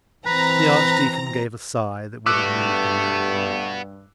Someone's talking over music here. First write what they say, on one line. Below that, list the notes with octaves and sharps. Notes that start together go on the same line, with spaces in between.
The archdeacon gave a sigh that would have moved a man-of-war.
E3 C4 B4 A#5 A#6
G2 A3 B3 F#4 D6 E6 F#6